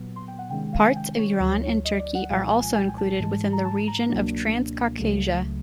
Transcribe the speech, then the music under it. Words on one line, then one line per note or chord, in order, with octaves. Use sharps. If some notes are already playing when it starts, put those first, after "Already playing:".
Parts of Iran and Turkey are also included within the region of Transcaucasia.
Already playing: A#2 F#3 B3
C6
G5
F#5
C3 D#3 G#3 C#4 G5
F5
G#5
G5
C#5
D2 D3 F#3 C#5
C#5
D#5
D5
F#5
C2 A#2 F3 G#3 F5
G#5
G#5
G5
G#5
A5
G#2 E3 G#3
A#5
A5
A#5
C#2 B2 F#3 A#3 D4
C#2 C#3 F#3 A3